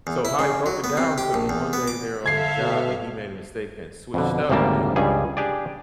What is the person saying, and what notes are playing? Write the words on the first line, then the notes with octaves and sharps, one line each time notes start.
So, how he broke it down to me, one day they're on the job, and he made a mistake and switched up, and
E2
E4
C#3
F#3
B3
C3
G4
A#1
E2
B3
D6
D3 A4 E5 F5 G#6 C7
B2
F2 B2 D3
G#1 D2 C#3 G3 A#3 A5
C#2 G2 G3 G#4
D4 G4 G#4 D5